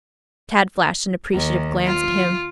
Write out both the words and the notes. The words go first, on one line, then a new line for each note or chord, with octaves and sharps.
Tad flashed an appreciative glance at him.
D#2
F4